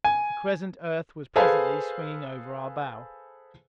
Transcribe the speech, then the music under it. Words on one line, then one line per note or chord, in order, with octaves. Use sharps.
The crescent Earth was presently swinging over our bow.
G#5
G#4 A4 B4 C5 F5 G#5